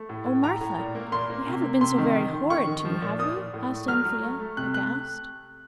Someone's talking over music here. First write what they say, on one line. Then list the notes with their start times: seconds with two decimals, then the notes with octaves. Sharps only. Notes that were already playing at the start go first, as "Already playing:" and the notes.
'Oh, Martha, we haven't been so very horrid to you, have we?' asked Anthea, aghast.
Already playing: A3
0.09 A2
0.26 A2
0.43 A2 A#5
0.61 A2
0.78 A#2
0.95 A#3
1.12 A#2 C6
1.30 A#3
1.47 C3
1.64 A#3
1.81 C3 C6
1.98 D#3
2.15 D#3
2.33 D#3
2.50 D#3 C#6
2.67 D#3
2.85 F3
3.02 A#2
3.19 A#2 D#6
3.36 A#2
3.54 A2
3.70 A3
3.88 F#3 F6
4.05 F#3
4.23 A3
4.40 A3
4.57 C3 F#6
4.74 A3 F#6